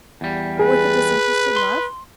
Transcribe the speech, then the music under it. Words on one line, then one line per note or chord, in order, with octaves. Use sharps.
"With a disinterested love?"
E2 G3
G#4 B4
C6